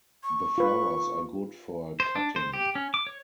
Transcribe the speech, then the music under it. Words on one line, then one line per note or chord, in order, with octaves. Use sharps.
The flowers are good for cutting.
C#6
F4 B4
C5
D4
C5
G4
C#4
D6
C#5